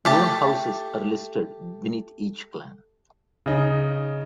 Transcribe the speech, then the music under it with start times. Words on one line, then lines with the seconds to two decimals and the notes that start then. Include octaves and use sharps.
Known houses are listed beneath each clan.
0.05 A3 G4 A5
3.46 C#3 D#4